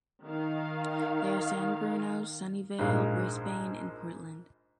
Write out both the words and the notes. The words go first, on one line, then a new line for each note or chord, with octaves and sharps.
They are San Bruno, Sunnyvale, Brisbane, and Portland.
D#3 F5
A#1 G#2 G#3 F5